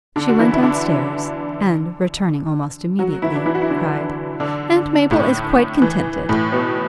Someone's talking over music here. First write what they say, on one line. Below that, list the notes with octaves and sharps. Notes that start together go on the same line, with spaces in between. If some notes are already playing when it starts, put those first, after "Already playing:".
She went down stairs, and, returning almost immediately, cried, 'Aunt Maple is quite contented.
D3 D4
F#4
E3 E4
E4
D3 D4
F#3 F#4
E3 E4
D4
E3 E4
F#4
E4
D3 D4
D3 D4
A2 A3
E3
A2 A3
B2 B3